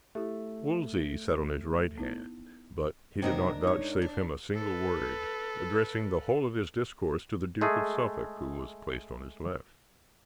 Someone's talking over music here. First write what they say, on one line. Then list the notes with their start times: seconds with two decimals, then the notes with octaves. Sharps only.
Wolsey sat on his right hand, but he did not vouchsafe him a single word, addressing the whole of his discourse to the Duke of Suffolk, who was placed on his left.
0.15 A3 E4 G4
1.98 B3 D#4 E4
3.22 G#2 C3 F#3 D4 D#4 A#4
3.63 D#4 C#5
4.02 D4
4.54 A4 B4
7.61 G#3 A3 G#4